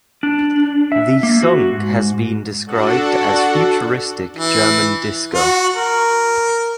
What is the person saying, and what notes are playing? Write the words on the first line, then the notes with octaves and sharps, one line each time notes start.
The song has been described as futuristic German disco.
D4
E5
A#3
F#4
G#2
D4 F#4 A4 F#5
E3
F#4
A#4